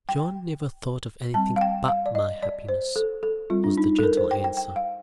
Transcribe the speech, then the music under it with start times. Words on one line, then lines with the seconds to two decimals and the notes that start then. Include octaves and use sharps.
"John never thought of anything but my happiness," was the gentle answer.
0.09 G5
1.34 G3 C4 A5
1.56 F5
1.61 G5
1.88 F5
2.06 D5
2.15 D#5
2.43 D5
2.69 C5
2.96 A4
3.23 A4
3.50 G3 C4 F4
3.64 D4
3.78 D#4
3.99 A4
4.03 A#4
4.17 C5
4.31 G5
4.44 G5
4.57 G5
4.76 F5